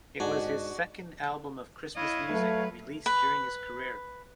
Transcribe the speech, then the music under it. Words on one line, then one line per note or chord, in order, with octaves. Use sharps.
It was his second album of Christmas music released during his career.
G#2 D4 F#4 D#5 G#5
E4 C#5 D#5 F5
F#3 A3 B4
B4